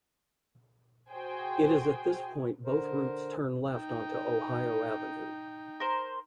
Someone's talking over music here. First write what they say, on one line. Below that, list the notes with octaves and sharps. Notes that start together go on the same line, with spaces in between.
It is at this point both routes turn left onto Ohio Avenue.
F#4 G#4 C5 G5 G#5
D3 A#4 C5
D#4 G5
A#4 C5